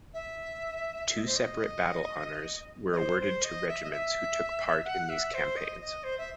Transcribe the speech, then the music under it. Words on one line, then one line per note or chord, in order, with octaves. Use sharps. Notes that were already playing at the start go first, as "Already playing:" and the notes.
Two separate battle honours were awarded to regiments who took part in these campaigns.
E5
E5
D#5
C5
D#5
D#5
C5
C5
D#5
E5
D#5
E5
F#5
E5
C5
D#5
D#5
C5
E5